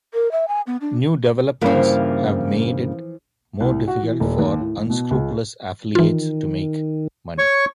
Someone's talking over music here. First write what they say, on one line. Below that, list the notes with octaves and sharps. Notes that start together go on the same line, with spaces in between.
New developments have made it more difficult for unscrupulous affiliates to make money.
A#4
E5
G#5
B3
D4
G2 C#3 E3 F3 A#3
C2
F#4
E3
D#1
D#2
A2
A1
B2
C#2
D#3 E3 F4
C#5 C#6